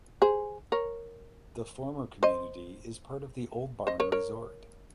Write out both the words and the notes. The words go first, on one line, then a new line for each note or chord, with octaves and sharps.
The former community is part of the Old Barn Resort.
G#4 C5
A#4 C#5
C5 D#5
C5 D#5
A#4 C#5
A#4 C#5